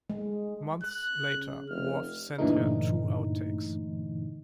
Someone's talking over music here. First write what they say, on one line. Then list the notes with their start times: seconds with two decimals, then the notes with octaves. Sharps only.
Months later, Whorf sent her two outtakes.
0.10 G#3
0.83 F#6
1.30 C#3
1.70 F1 F6
2.38 G2 A#2 D3 E3 A3 D#4